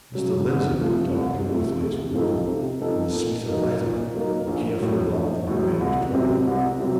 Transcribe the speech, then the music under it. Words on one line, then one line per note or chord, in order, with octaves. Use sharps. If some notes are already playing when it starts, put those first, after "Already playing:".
Mr. Lindsey picked up Gilverthwaite's will and the Smeaton letter, and carefully locked them away in his drawer.
C#3 F#3
C2
C3 F3 A3
C2
C3 F3 A3
C3
F3 C4 D#4 A4
C3
F3 C4 D#4 A4
A#2
F#3 A#3 D#4
A#2
F#3 A#3 D#4
A#1
A2 F#3
A#1
A2 F#3
C2
C3 F#3 C4
C2
C3 F#3 C4